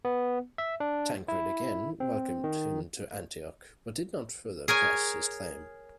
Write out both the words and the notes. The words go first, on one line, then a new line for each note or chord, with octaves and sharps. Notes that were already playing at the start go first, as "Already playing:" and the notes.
Tancred again welcomed him to Antioch but did not further press his claim.
B3
E5
D4
E4
C4
D#3
G#4 A#4 C#5 G#5